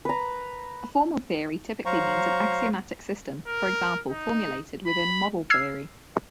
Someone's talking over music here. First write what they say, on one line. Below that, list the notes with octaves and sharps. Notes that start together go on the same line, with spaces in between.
A formal theory typically means an axiomatic system, for example formulated within model theory.
B4 A#5
F#3 C5 F5 A#5 C#6
A#4
D#4
B5
E6 F6 G#6 C7